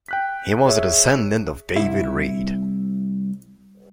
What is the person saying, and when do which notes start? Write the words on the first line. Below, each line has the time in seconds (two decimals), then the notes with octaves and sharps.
He was a descendant of David Reed.
0.08 G5 F#6 B6
0.65 G#4 C#5 E5
1.76 C2 E4